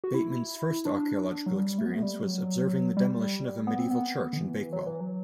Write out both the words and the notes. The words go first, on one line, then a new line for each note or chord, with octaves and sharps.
Bateman's first archaeological experience was observing the demolition of a medieval church in Bakewell.
F#4
E4
D4
F#3
G3
A3
B3
A3
G3
F#3
G3
B3
C4
B3
D3
E3
F#3
E3
F#3